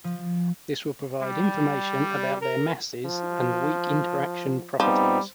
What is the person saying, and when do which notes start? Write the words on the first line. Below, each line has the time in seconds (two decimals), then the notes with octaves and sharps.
This will provide information about their masses and weak interaction properties.
0.04 F3
1.21 G3
2.41 A#4
3.05 F3
4.80 F3 G3 B3 C4 D#4